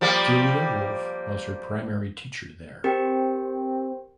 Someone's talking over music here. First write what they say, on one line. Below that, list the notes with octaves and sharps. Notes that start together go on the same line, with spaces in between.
Julia Wolfe was her primary teacher there.
F3 G3 A#3
C4 G4 A#4 G5